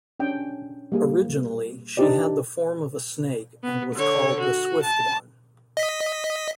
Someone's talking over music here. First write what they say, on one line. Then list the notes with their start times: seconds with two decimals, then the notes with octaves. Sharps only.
Originally, she had the form of a snake and was called "The swift one".
0.20 C#4 D4 G5
0.92 G3 A#3 G#4
1.97 D4 D#4 G4 C5 D5
3.63 B3
3.95 D3 C#5
4.40 F#4
4.83 A5
5.77 D#5 B6